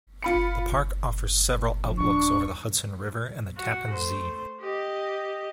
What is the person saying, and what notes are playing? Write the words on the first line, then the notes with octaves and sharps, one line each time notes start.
The park offers several outlooks over the Hudson River and the Tappan Zee.
F4 B5 C#7
D3 F3
D#1 D4 C#6
F#4
A3 C5
G4 D#5